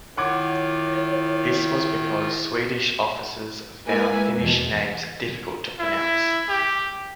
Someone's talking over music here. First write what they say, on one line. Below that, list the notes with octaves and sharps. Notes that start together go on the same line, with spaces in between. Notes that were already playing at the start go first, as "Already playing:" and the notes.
This was because Swedish officers found Finnish names difficult to pronounce.
D#3 E4 F4 C#5 F#5 D6 G#6
G#3 A#3 E4 B4 G#5
E2 B2
E4
G4